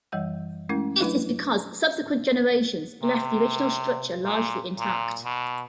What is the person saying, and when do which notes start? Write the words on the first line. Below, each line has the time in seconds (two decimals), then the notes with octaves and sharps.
This is because subsequent generations left the original structure largely intact.
0.12 F#2 E3 G3 D#5 F#5 E6
0.69 G#3 A3 C#4 E4 A#4
1.01 F#3 A3 D4 E4 B4
3.03 C3
4.23 A#2
4.78 A#2
5.24 B2